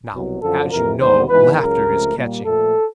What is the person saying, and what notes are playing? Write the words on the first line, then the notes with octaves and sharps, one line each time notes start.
Now, as you know, laughter is catching.
C2 B2 F#3
F#2 D3 F3 A4
F2 C3 E3 A#4
D#2 D3 G3 B3 C5
G#2 E3 G#3 B3 B4
C#2 C#3 F#3 A#4
C#2 C3 F3 A3
A#2 G3 A#3
A#2 F3 A3 A4